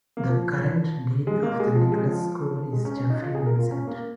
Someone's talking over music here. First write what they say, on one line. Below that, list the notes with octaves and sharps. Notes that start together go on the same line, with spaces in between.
The current dean of the Nicholas School is Jeffrey Vincent.
A#3
F3
G#3
A#3
G#3
F3
G#3
F3
G#3
C#4
C#4
D#4
F4
G#4
A#4
F4
C#4
A#3